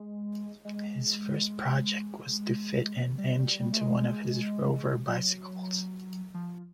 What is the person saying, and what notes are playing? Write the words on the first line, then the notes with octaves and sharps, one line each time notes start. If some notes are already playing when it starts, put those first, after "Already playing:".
His first project was to fit an engine to one of his Rover bicycles.
Already playing: G#3
G#3
G3
G3
G3
A3
G#3
F#3
F3